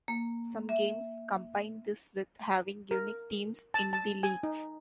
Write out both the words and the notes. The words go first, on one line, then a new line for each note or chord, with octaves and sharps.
Some games combine this with having unique teams in the leagues.
A#3
E5
A#4
A5
A5
G#5
D#4